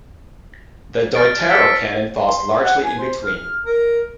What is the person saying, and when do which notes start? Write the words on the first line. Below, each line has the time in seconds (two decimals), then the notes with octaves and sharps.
The Deuterocanon falls largely in between.
1.15 F6 A6 D7
1.50 A4 B6
2.25 C6
2.61 F#5
2.84 G#5
2.98 C5
3.25 F6
3.65 A#4